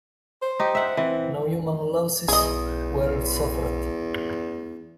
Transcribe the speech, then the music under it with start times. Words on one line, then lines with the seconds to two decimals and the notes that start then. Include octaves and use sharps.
No human losses were suffered.
0.42 C5
0.60 D#4 G4
0.75 E5 F#5
0.97 E3 C4
2.28 B1 E2 G#4 D#5